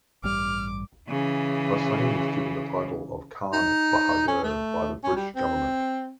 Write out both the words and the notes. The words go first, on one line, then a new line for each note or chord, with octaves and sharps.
Hossain was given the title of Khan Bahadur by the British Government.
A1 G2 G3 D6 F6
C#3 E3
D#4
C#4
A3
C#4
G3
C4